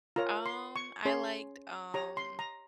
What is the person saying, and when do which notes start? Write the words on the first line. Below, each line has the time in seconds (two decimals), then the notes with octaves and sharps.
Um, I liked, um
0.16 F4 A#4 C#5 A#5
0.46 C6
0.76 C#6
1.05 C#4 G#4 C#5 C6
1.94 G4 C#5 A#5
2.17 C6
2.39 A#5